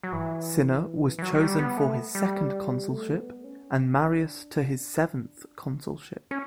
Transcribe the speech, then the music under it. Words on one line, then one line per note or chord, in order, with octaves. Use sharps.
Cinna was chosen for his second consulship and Marius to his seventh consulship.
F#3
E3
E3
F#3
F#3
G3
B3
A3
G3
A3
B3
C#4
D4
C#4
C#4